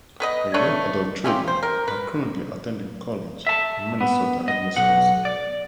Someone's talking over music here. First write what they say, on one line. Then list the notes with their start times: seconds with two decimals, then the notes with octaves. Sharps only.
Her young adult children are currently attending college in Minnesota and Wisconsin.
0.20 B3 B4 D#5
0.54 A3 D4 B4 C#5
1.24 C#4 E4 F4 G4
1.48 C5
1.63 A#4
1.88 B4
3.47 E5 A5
4.01 B3
4.48 D#5
4.76 B1 F#5
5.25 D5